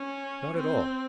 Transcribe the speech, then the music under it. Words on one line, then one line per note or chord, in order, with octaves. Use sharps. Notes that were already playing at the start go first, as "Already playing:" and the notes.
Not at all.
Already playing: C#4
C4